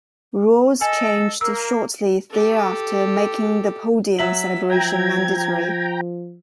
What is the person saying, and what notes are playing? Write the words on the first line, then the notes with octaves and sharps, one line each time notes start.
Rules changed shortly thereafter making the podium celebration mandatory.
A4 D#5 G#5
A#3 A#4 E6
G4 A4
F#3 E5 B6 F#7
F3 G5 A#5 G#6